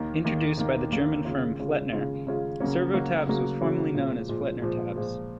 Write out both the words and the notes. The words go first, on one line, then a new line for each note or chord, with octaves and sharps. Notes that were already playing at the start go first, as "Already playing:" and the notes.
Introduced by the German firm Flettner, servo tabs were formerly known as Flettner tabs.
Already playing: D#2 D#3 A#3
D#2 D#3 A#3
D#2 D#3 A#3
D#2 D#3 A#3
C#3 G#3 C#4 F4
C#3 G#3 C#4 F4
C#3 G#3 C#4 F4
C#3 G#3 C#4 F4
C#3 F#3 A#3 C#4 F#4
C#3 F#3 A#3 C#4 F#4
C#3 F#3 A#3 C#4 F#4
C#3 F#3 A#3 C#4 F#4
A#2 F3 G#3
A#2 F3 G#3
A#2 F3 G#3
A#2 F3 G#3